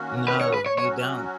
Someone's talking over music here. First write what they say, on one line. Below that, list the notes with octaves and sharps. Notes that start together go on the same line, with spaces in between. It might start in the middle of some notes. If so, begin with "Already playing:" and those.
No, you don't.
Already playing: D#3 A#3 C#4 F#4
B4
C#5
B4
C#5
F#3 C#4 F#4 C#5